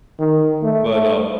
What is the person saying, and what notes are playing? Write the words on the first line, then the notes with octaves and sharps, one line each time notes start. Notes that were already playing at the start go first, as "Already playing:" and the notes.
but, um,
D#3
A3
A3